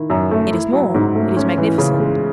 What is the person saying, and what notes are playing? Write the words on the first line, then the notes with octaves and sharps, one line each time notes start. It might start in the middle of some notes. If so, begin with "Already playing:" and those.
"It is more--it is magnificent."
Already playing: D#3 E4
F#2
A3
E4
F#3
G#2
A3
C#4
E3
C#3
G#3